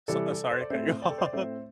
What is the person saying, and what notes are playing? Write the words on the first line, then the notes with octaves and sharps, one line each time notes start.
So, uh, sorry, cut you off.
C3 E3 G3 A4 D5
C5
D5
A2 A3 C4 C5 E5
D5 G5
A4
C5
D5
A2 A3 C4 C5 E5